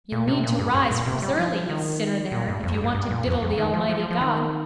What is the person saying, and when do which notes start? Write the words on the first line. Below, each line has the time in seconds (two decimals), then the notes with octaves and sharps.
You'll need to rise precious early you sinner there, if you want to diddle the Almighty God.
0.12 A#2
0.27 C3
0.43 A#2
0.59 G2
0.75 G2
0.91 A#2
1.06 C3
1.22 G3
1.38 F3
1.69 D#3
2.32 A#2
2.48 G2
2.64 F2
2.74 G2
2.84 G2
2.95 G2
3.11 A#2
3.26 F2
3.42 F2
3.58 D#3
3.74 F3
3.89 F3
4.00 F3
4.10 F3
4.21 D#3